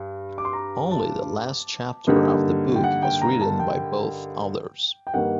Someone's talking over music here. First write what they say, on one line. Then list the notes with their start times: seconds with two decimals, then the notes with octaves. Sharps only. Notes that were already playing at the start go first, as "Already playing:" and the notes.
Only the last chapter of the book was written by both authors.
Already playing: G2
0.38 D6
0.45 C6
0.53 A#5
0.91 A5
2.07 G2 D3 G3 A#3 D#4
2.76 G5
2.84 F#5
3.03 G5
3.22 A#5
3.41 A5
3.59 G5
5.07 G5
5.14 G2 D#3 G3 A#3 F#5